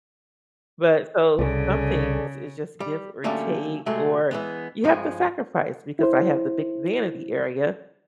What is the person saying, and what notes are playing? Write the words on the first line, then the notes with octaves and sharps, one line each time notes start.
but, so some things is just give, or take, or you have to sacrifice, because I have the big vanity area,
C2 C#3 G#4 A4 D5
G3
D3 F#3 G3 A3 A#3 C#4
C3 F#3 G#3 A3
E3 G#3 B3
G2 F3 G#3
E4 C5